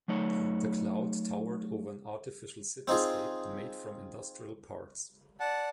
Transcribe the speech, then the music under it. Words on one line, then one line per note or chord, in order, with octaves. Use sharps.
The cloud towered over an artificial cityscape made from industrial parts.
F#3 A3 D#4 C#5
C4 D#4 F4 G#4
D5 F#5 A5